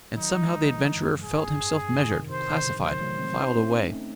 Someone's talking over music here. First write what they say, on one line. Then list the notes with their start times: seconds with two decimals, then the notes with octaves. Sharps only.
And somehow the adventurer felt himself measured, classified, filed away.
0.16 D#3 F#3 D#4
0.43 E3 G#3
0.69 C#3 E3
0.96 F#2
1.23 G#2 G#4
1.50 F#2
1.76 F#2
1.94 C3 D#3
2.11 C3 D#3
2.29 C3 D#3 C5
2.47 A2 C#3
2.65 C#3 E3
2.83 D#3 F#3 C5
3.00 F#3 A3
3.18 G#3 C4
3.36 C4 D#4
3.54 A3 C#4
3.71 C4 D#4
3.89 A3 C#4